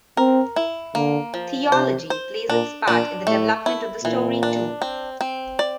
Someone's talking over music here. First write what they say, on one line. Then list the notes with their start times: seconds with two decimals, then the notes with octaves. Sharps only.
Theology plays its part in the development of the story too.
0.17 C4 A#4
0.56 E4
0.95 D3 A#3
1.34 F3
1.72 C3 C5
2.10 C5
2.49 A#2 D4
2.88 A#2 D4
3.27 A2 A3
3.66 E4
4.04 A#2 E3
4.43 D4
4.82 C4
5.21 C4
5.59 D5